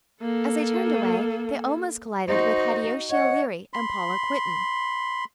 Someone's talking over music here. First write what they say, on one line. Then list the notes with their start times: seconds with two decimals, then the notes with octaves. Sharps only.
As they turned away, they almost collided with Hideyoshi O'Leary and Paula Quinton.
0.22 A#3 A4
2.28 D#4 F#4 C5
3.11 C#5 D#5 F#5
3.73 B5 C6